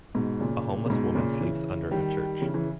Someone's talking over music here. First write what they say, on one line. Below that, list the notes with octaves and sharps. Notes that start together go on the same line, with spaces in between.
A homeless women sleeps under a church.
G#2 B2
A#2 C#3
C#3
G#2 B2
A#2 C#3
C#3 E3
D#3 G3
C#3 E3
C#3 E3